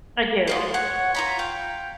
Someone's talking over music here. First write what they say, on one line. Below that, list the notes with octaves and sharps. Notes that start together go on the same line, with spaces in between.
I do.
B3 D4 F4
C#5 F#5
F4 A#5 B5
F5 G5